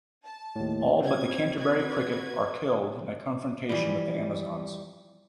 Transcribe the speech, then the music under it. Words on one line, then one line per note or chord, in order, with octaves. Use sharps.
All but the Canterbury Cricket are killed in a confrontation with the Amazons.
A5
D#2 A2
G3 C4 G#6
F#4 B4 G#6
E3 F3 G3